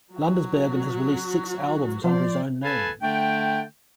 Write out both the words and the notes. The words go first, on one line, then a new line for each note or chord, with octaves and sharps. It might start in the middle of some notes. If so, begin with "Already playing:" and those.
Landesbergen has released six albums under his own name.
F#3 F#4
F3 C5 D5
A4 B4 F5 G#5 A5 B5
D3 A3 D4 G5